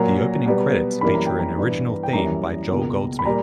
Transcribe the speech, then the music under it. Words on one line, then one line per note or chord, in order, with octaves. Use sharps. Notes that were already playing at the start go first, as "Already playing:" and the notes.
The opening credits feature an original theme by Joel Goldsmith.
Already playing: A#2 F#3 A#3 A#5
B2 G3 B3
F#2 E3 G3 A#3 B5
A#5
G5
A#5
G2 E3 B3
G5
F#2 E3 G3 A#3 A#5
C#2 B2 A#3
B5
A#2 G3 A#5